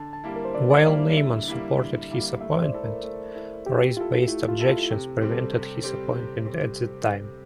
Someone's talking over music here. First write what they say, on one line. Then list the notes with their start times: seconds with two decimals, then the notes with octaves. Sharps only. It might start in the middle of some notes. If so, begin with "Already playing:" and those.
While Neyman supported his appointment, race-based objections prevented his appointment at that time.
Already playing: D3 A5
0.13 A5
0.24 G3 A#3 E4
0.36 A#4
0.45 C5
0.55 D3 D5
0.71 D5
0.85 G3 A#3 E4 F5
1.17 D3 E5
1.48 G3 A#3 E4
1.79 D3
2.10 G3 A#3 E4
2.41 A3 E5
2.57 C5
2.62 D5
2.72 E4 A4
2.83 A#4
3.03 A3
3.35 E4 A4
3.66 A3 G4
3.97 E4 F4 A4
4.28 A3 E4
4.49 F4
4.59 E4 A4
4.69 F4
4.90 C3 G4
5.21 G3 C4 G4
5.31 A4
5.52 C3
5.84 G3 C4 G4
6.15 C3
6.45 G3 C4 G4